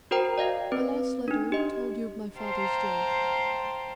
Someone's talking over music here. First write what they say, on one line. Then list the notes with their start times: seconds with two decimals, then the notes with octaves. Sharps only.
My last letter told you of my father's death.
0.11 F#4 A#4 C5 G5 A#5
0.38 D5 D#5 F5 G5
0.72 C4 B4
1.28 D4 D#4
1.52 G4 D#5
2.38 C5 F5 G5 A5 A#5 C6